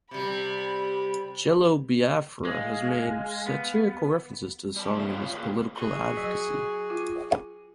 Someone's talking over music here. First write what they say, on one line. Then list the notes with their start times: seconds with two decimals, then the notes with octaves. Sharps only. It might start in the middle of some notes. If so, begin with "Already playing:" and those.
Jello Biafra has made satirical references to the song in his political advocacy.
0.11 C3 G3 B5
2.45 G#3 F5
3.46 B3
4.76 G3 A5
4.93 A#2 C#3 A3 C4 C#4
5.09 F4 B4 C#5 G5
5.35 A#3 F4 G#4 B4
5.75 F#4 G#4
6.17 F#3
6.90 F4